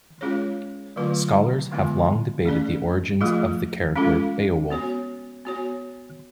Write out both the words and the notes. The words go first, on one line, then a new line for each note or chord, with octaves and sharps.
Scholars have long debated the origins of the character Beowulf.
G#3 C#4 F4 G#4 C#5
D3 F#3 A3 F4 B4
D3 G#3 B3 F4
A3 C#4 G#4 D5
F3 A3 F4 G#4
G#3 C#4 F4 A4
B3 F#4 C#5
B3 F#4 C#5